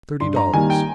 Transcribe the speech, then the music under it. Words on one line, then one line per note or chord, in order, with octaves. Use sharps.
"Thirty dollars."
G2 C6
A#5
D#3 G3 A#3 G#5
G5